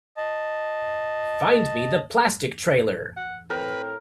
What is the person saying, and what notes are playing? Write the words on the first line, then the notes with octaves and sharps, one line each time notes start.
Find me the Plastic trailer.
D#5 A5
F#5
A2 C4 A#4 B4